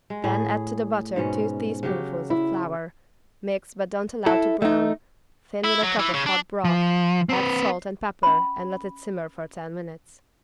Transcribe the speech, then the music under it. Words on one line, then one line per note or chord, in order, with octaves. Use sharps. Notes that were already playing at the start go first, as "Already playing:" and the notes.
Then add to the butter two teaspoonfuls of flour, mix but don't allow to brown, thin with a cup of hot broth, add salt and pepper and let simmer for ten minutes.
G#3
A2 G#4
G#2 B2 C#4
C#3 F#3 G4
E4
E4 A4
A3 D#4
E4
F#3
E3
C#3
D4
F3
C4 B4
C#4 B5